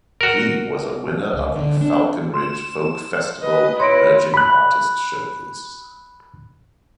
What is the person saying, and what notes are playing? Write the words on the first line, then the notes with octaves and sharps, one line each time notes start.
He was a winner of the Falcon Ridge Folk Festival Emerging Artist Showcase.
F#4 A#4
C#2
D3
D4
C6 E7
B4 D#5
E4 C#5 C6 A#6 D7
B5 F#6